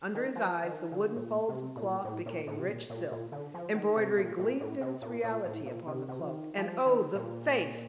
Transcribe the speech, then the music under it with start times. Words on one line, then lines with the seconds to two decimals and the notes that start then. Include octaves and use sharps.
Under his eyes the wooden folds of cloth became rich silk, embroidery gleamed in its reality upon the coat, and oh! the face!
0.14 D#3
0.35 F3
0.64 D#3
0.91 D3
1.16 A2
1.20 A#2
1.49 C3
1.76 A#2
2.04 A2
2.26 A#2
2.47 A2
2.60 C3
2.69 A#2
2.90 A#2
3.12 A#2
3.32 D3
3.54 F3
3.74 D#3
3.96 C3
4.17 A#2
4.39 A#2
4.60 A2
4.81 C3
5.02 A#2
5.24 A#2
5.45 A2
5.66 A#2
5.87 C3
6.08 C3
6.20 F3
6.29 D#3
6.58 F3
6.86 D#3
7.15 A#2